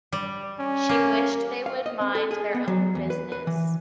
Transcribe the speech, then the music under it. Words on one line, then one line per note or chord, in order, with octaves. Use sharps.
She wished they would mind their own business.
G3
C#4
A#3
F5
D#5
C4
A4
G#4
B3
F#3
E2
B4
B4
E3